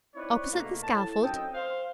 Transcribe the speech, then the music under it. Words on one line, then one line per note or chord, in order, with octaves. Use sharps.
"Opposite the scaffold?"
C4 D#4 E4 B4 C#5 D5
G#2 B2 A3 A#3
A2 A5
F#2 C4 D#4 A4 D#5 G5
C5 F5